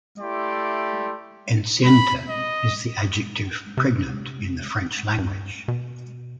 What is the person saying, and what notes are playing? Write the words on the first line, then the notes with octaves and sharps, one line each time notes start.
Enceinte is the adjective 'pregnant' in the French language.
A3 E4 G4 D5 C6
B5
D#5
C3
G2
B2